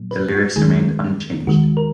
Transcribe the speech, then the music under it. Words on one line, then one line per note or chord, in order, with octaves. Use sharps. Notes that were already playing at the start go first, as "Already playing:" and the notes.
The lyrics remained unchanged.
Already playing: A#2 F#3 A#3
B4
F#4
D#2 D#3 G#3 G#4
D#2 D#3 G#3 F#4
A#4